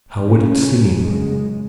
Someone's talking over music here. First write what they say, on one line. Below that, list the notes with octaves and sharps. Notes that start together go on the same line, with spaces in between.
How would it seem?
C#3 A#3 C#4
F#2 C#3 G#3